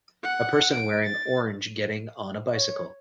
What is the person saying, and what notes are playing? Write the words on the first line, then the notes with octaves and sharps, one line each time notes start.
A person wearing orange getting on a bicycle.
F#5
D7
A6
C#5